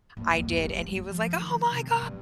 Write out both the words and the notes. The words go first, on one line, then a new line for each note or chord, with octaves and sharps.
I did, and he was like, "Oh my god!
G2 A#3
A3
F2 A#3
A3
G2 G3
A3
F3
D#3
C3
G2
G3